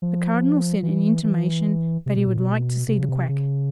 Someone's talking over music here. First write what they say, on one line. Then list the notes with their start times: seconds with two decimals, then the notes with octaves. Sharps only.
The Cardinal sent an intimation that he would like to see the quack.
0.02 F3
0.83 E3
1.24 E3
2.06 C3
2.17 B2
2.26 A#2
2.37 B2
2.88 C3
2.99 C#3
3.09 C3
3.29 C#3